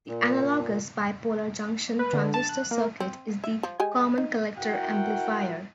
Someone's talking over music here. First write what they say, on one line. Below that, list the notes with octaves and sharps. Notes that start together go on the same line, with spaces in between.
The analogous bipolar junction transistor circuit is the common-collector amplifier.
A#2
B4
D3
A5
F#6
A#3
C4
E5
F3
G#3 G4 G#5
D#4
E4 F#4 A#4 F#5 G5